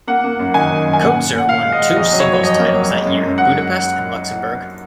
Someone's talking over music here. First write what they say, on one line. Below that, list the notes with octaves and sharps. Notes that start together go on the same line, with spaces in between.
Coetzer won two singles titles that year in Budapest and Luxembourg.
A#3 F#5
A#3
F#2
D#3 G#5
D#3
F#2
G#5
A#2 F#5
A#2
A#2 F#5
A#2 F5
G#3
D#5
G#3
F2 D#5
F#3
C#5
F#3
C#5
F2 D#5
A#3
F#3
G#3
F#2
F#2
F#5